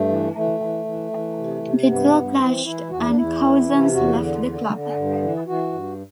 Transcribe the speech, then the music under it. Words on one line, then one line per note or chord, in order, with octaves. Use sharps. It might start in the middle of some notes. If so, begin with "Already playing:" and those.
The duo clashed and Couzens left the club.
Already playing: G2 A3
E3
E3 A3
E3
E3
E3
C3
C3
A3
G2 B3
G2
E3 C4
E3 E4
E2 F#4
E4
D4
E2 E4
E3
C3
E2 F#4
D3
D3
D3
G2
E3
E3 F#4
G2